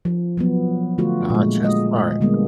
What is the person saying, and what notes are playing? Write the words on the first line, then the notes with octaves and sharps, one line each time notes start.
Gotcha, smart.
F3
F3 F#3 B3
D3 A3 F4 F#4
A#2 G#3
G#3 D#5
D3 G3 G#3 A#3 B3